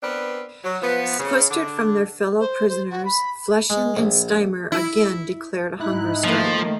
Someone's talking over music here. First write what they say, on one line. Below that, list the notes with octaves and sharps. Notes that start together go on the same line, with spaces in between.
Sequestered from their fellow prisoners, Fleshin and Steimer again declared a hunger strike.
B3 C4 D4 A#4 B4
F#3
F3 B3
C#3
D3 D4
C5
C5
F#4
B5
G#3
A#1
E4
G#2 D#4 E4 F#6
D#3 F3 A3 A#3